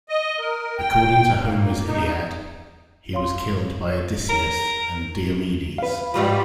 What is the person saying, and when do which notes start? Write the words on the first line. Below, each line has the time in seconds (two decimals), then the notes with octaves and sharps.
According to Homer's Iliad, he was killed by Odysseus and Diomedes.
0.09 D#5
0.39 A#4
0.79 G5
1.44 A#3
1.87 D#4
3.13 C#5 F5 C6
3.89 C#5
4.29 A#4
5.78 B4 F5
6.14 G#2 C#3 F3 G3 F4 B5